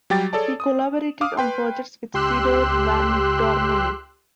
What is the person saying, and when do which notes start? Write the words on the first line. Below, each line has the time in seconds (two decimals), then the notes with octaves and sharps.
He collaborated on projects with Theodoor Van Dormael.
0.10 F#3 G3 G4 G5 A6
0.33 G#4 A4 C#5 D5 A5
0.60 D#6
1.21 F5 D6 D#6 F6
1.37 B4 G5 C6
2.14 C#2 G4 C6 E6 F#6